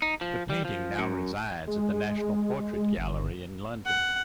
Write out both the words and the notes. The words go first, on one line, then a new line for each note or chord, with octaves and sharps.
The painting now resides at the National Portrait Gallery in London.
D#4
F3
G3
F3
F#2
G#3
G1
F#5